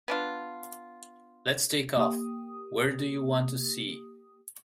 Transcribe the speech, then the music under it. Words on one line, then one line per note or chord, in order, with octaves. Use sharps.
Let's take off. Where do you want to see?
B3 D4 F4
A#3 G4 D#6